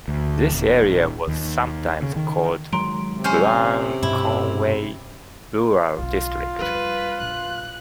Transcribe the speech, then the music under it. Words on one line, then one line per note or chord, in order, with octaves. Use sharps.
This area was sometimes called Glan Conway Rural District.
D2
D#1
D#2
C#3
D#3
D#3 F#3 G#3 A#5 C6 D7
C3
C#4 C5 G#5 F6 G6
G2 B2 C#4 E4
B1 C#3 F4
F2 G3 B4
A#1 F#6